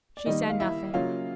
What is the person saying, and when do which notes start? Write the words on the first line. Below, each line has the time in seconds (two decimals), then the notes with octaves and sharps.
She said nothing.
0.17 D5
0.26 D#3 G3 A#3 D#4 D#5
0.50 F5
0.60 E4 E5
0.94 C#3 F#3 A#3 F4 F5